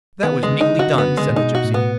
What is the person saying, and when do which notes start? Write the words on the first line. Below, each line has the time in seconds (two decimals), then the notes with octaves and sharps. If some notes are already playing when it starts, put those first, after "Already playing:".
'That was neatly done,' said the gypsy.
0.23 D#3 B3
0.43 C#3 G#3
0.52 D3
0.61 D#4
0.79 D3 F#4
0.88 C#3
0.95 D3 B3
1.08 C#3
1.17 G#3
1.30 A#2
1.36 B2 D#4
1.55 F#4
1.64 A2
1.74 B3